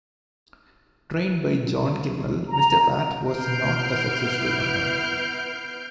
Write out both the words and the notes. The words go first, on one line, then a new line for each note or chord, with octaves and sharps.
Trained by John Kimmel, Mr. Pat was not a successful runner.
A#5
B3 E4 F6 G6 C7 D7